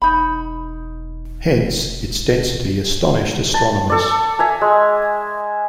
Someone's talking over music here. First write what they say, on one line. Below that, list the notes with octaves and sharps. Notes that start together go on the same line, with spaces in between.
Hence, its density astonished astronomers.
E1 D#4 B5
A5
A4 D5
E5 G#5 A#5
G#3